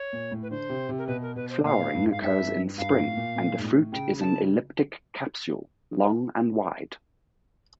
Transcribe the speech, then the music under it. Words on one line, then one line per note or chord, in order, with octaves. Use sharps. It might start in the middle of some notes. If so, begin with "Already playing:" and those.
Flowering occurs in spring and the fruit is an elliptic capsule long and wide.
Already playing: C#5
A#2
A2
B4
D3 C5
C3
C3
A#4
B2 B4
A#4
B2 B4
C5
A#2 F5
A2
G2
G#2
F5
G2 E5
G2 F5
A2
A#2
A#2
G#2
A2
C#3 G5
C#3 A5